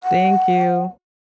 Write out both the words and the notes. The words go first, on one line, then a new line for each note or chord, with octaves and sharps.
Thank you.
F#5